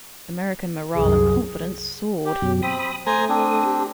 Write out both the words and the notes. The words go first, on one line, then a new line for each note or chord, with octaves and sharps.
American morale and confidence soared.
C2 F#2 G#4
G4
F#2 B2 F#3
C4 B5 D#6
A3 C5 G#5 A#5 D#6
C4 D4
G4